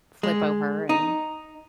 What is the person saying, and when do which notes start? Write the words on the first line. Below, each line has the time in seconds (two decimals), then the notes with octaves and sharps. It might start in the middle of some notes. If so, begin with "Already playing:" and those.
flip over and
0.23 G#3
0.89 D#4